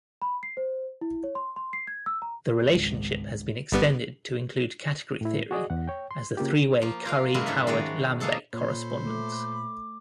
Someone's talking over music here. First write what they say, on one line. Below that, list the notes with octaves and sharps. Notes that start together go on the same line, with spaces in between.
The relationship has been extended to include category theory as the three-way Curry-Howard-Lambek correspondence.
B5
C7
C5
E4
C#5
C6
C6
C7
G#6
E6
A#5
G#1 C#2
G1 G3 B3
A2 E4
F#4 G#4 D5 D#5
E2 F#5
C#5 G5
C6
C#3 A#3 F4 G4
F3 A#3
F4 A#4 F5
C#3 F#3 G#3 A#3 E4 A#4
G#2 A4 E5
D#3 G#3 F#4 C#5 D5
B2 A#3 G#4 A4 A5
A#2 A4 C5 C#5 B5
A3 D6